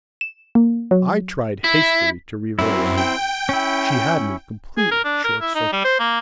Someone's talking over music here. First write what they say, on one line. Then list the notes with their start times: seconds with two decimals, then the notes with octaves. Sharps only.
I tried hastily to reverse; she had me completely short-circuited.
0.21 E7
0.55 A#3
0.91 F#3
1.64 E4
2.59 F#2 C4 E4
2.97 G5
3.49 C#4 E4
4.78 G#4
4.91 A#4
5.04 D4
5.24 A#4
5.41 E4
5.55 D#4
5.72 G3
5.84 C5
5.99 A#3